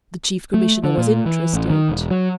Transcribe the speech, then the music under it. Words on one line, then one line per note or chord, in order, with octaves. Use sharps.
The Chief Commissioner was interested.
A3
D3
A#2
E3
A1
D#3
E1
F#3